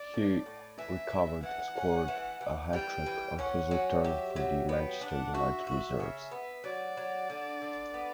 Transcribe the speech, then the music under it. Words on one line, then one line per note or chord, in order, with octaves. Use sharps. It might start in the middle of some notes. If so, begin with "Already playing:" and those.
He recovered and scored a hat-trick on his return for the Manchester United reserves.
Already playing: D5
A2
A2
E3 E5
E3
E3 F#5
C#4
E3
E3
G3 G5
E3
C#4 F#5
F#3
G4 E5
F#3
B3 G5
D4 F#5
F#4 E5
F#4
C#3
B3
F#3 D5
F#3
D3
D3
B3